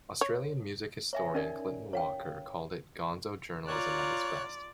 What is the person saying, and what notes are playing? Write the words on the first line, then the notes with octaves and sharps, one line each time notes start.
Australian music historian Clinton Walker called it "gonzo journalism at its best".
C#5
C#5 E5 G#5
C#4 D#4 A#4 D5
C#5 F5 G5
F4 C#5 D5 A#5 F#6